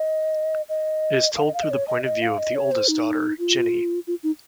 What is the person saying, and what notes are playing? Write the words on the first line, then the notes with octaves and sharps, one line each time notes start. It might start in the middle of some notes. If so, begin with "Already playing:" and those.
It is told through the point of view of the oldest daughter, Ginny.
Already playing: D#5
D#5
F5
D#5
F5
D#5
C#5
D#5
D#5
F5
D#5
C#5
C5
D#4
F4
F4
D#4